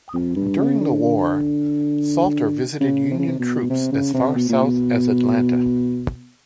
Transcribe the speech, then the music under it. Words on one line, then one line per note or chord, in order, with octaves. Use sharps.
During the war, Salter visited Union troops as far south as Atlanta.
F2
G2
C#3
D3
D3
C#3
C3
C#3
C3
B2
C3
C#3
C3
B2
A#2
B2